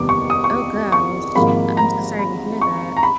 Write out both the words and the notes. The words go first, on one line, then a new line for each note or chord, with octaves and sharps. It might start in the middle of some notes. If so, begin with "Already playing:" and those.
Oh gosh. I I'm so sorry to hear that.
Already playing: F1 D#2 D#3 G3 B3 D6
C#6
D#6
C#6
D6
C#6
G#1 G#2 F3 A#3 B5
A#5
B5
C#6
A#5
B5